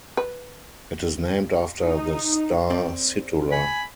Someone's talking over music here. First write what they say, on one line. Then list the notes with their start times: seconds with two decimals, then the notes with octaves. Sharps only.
It is named after the star Situla.
0.17 B4
1.83 D#4
2.70 C4 D5
3.52 G#5 B5